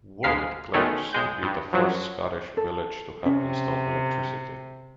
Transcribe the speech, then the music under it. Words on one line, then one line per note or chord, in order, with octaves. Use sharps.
Wormit claims to be the first Scottish village to have installed electricity.
D2 G#3 F5 B6 C7
B2 D#3 G#3 A3 C#4
B1 G#3 G6
G2
F#2 F3 F#3
A4
C3 C#4